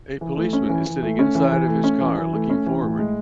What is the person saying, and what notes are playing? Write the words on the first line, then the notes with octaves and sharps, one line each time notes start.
A policeman is sitting inside of his car looking forward.
E3
A3
C#4
E3
E3
A3
C#4
E3
E3
A3
C#4
E3
E3
A3
C#4
E3
A2
G#3